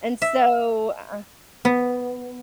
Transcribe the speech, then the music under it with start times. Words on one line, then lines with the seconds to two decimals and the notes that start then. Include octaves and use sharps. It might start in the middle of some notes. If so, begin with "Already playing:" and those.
And so, uh
0.22 E5
1.65 B3